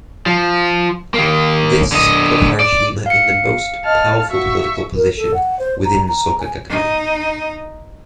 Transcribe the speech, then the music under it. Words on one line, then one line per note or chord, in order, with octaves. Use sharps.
This put Harashima in the most powerful political position within Soka Gakkai.
F3
D#3 A#3
D3 D#5
D5
F5 C#7
D#5 A5 F6
F#4 E5 C#6
A#4
A4
F#5
C5
A#5
A#5
G#5
D#4